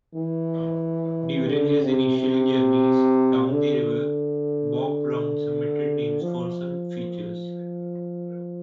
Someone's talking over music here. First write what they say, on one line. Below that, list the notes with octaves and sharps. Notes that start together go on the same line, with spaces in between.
During his initial journeys down the river, Bob Brown submitted names for some features.
E3
D3
C3
C3
D3
F3